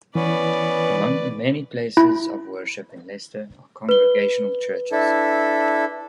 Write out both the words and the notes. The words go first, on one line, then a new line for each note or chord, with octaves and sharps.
Among the many places of worship in Leicester are Congregational churches.
E3 B3 C#4 B4 D5
E4
B4 G7
D4 E4 A4